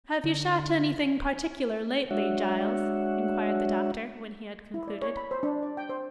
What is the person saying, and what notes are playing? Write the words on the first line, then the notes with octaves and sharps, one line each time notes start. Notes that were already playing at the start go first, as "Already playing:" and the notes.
'Have you shot anything particular, lately, Giles?' inquired the doctor, when he had concluded.
D3
G#3 D4 F#4 C#5 E5 F#5
E4
D5
C#5
B5
C5
D4
D5
G5
C5